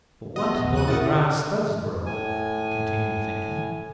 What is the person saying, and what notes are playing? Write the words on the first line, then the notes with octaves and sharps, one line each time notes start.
'But what though the grass does grow?' he continued thinking.
B3 D#5
A#1 D#2
F#4 F#6 D#7
C4 C#4 E4 A#4 D#5 F#5 A6
A2 G#5